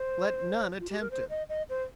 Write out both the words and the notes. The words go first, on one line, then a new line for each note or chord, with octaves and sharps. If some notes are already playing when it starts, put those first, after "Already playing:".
Let none attempt it.
Already playing: C5
F4
G4
A#4
C5
D#5
D#5
C5